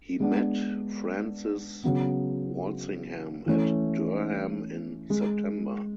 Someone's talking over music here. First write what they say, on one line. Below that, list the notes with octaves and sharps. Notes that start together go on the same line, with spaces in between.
He met Francis Walsingham at Durham in September.
G#3 B3 D4
C#3 F#3 B3
E3 A3 C#4
G#3